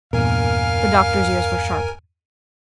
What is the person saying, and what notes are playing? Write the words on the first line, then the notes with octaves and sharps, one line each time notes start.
The Doctor's ears were sharp.
E2 G2 A#2 A#4 F5 G#5